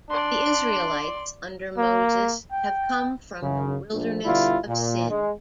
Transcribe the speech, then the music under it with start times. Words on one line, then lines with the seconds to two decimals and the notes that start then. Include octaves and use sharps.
The Israelites under Moses have come from the wilderness of Sin.
0.10 D4 D5 C6
1.78 A#3
2.52 G5
3.40 F#2 C#3
3.92 A#1
4.23 B2 D3 G3 E4 F4
4.67 A#2
5.09 G#3